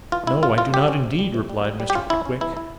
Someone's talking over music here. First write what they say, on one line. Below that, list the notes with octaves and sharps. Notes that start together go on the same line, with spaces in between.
'No, I do not indeed,' replied Mr. Pickwick.
E3 F4
G3 E4
C3 F4
E3 F4
G3 G4
C#4
C3
G3
C3
G3
G3
G3
G4
C#4 F4
C#4 E4
C#4
E3 E4
E4